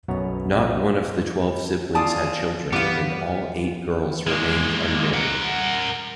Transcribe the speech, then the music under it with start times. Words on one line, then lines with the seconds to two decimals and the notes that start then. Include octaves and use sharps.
Not one of the twelve siblings had children, and all eight girls remained unmarried.
0.08 B1 F#2 B2 B3 C#5 A#5
1.95 F4 D5 F5 G#5 A5 D#6
2.73 G2 E3 G3 B3 F5 D6
4.27 G#3 A#3
5.14 A#4 F#5